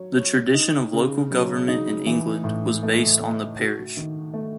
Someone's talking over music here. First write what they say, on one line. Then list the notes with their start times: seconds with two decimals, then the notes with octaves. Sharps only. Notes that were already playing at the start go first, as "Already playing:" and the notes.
The tradition of local government in England was based on the Parish.
Already playing: F#3 C#5
0.17 C#5
0.54 D#4
0.93 C#3
1.31 F#3
1.68 D#4
2.06 E3
2.44 A2
2.83 A3
3.20 A3
3.59 F#4
3.97 D#3
4.34 A3